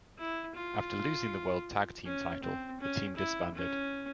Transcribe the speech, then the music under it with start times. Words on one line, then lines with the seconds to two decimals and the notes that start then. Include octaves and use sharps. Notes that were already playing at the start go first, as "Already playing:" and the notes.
After losing the World Tag Team title, the team disbanded.
0.19 E4
0.55 F4
2.06 C#4
2.43 C4
2.81 C#4
3.17 E4
3.55 C#4